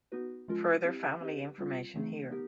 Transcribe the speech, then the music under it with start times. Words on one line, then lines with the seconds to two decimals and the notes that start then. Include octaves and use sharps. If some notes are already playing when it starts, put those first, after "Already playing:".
Further family information here.
0.12 B3 D#4 F#4 B4
0.48 F3 G#3 C#4 F4 A#4
0.85 C4 E4 G4
1.21 C4 D#4 G4 B4 D#5
1.58 G3 C4 F4
1.94 E3 A3 C4 D#4 G#4
2.31 B3 D#4 G4 A#4